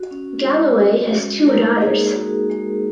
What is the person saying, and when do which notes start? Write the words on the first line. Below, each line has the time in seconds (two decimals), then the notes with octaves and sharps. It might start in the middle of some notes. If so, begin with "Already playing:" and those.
Galloway has two daughters.
Already playing: F#4
0.11 C#4
0.45 G#3
0.79 F#4
1.13 G#3
1.47 A#3 D#4 A#4
1.81 G#3 G#4
2.15 F#4
2.50 G#3